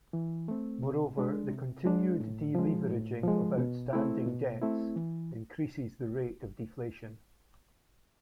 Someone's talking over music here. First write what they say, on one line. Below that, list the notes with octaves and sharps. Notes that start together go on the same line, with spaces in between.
Moreover, the continued deleveraging of outstanding debts increases the rate of deflation.
E3
A3 C4
C3
G#3 D4
C3
G#3 D4
A2
F3 G#3
A2
F3 G#3
B2
A3 C4 E4
B2
A3 C4 E4
E3